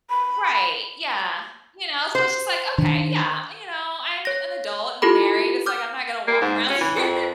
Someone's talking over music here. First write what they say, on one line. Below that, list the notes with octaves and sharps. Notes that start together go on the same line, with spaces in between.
Right, yeah. You know, so it's just like, "Okay, yeah, you know, I'm an adult and married," it's like, "I'm not gonna walk around here
B5
C5
D#3 D4
C#5 A#6
E4 F4 G4 A4 B5
D6 F6 G6
A#3
G#2
C#4
E3
F2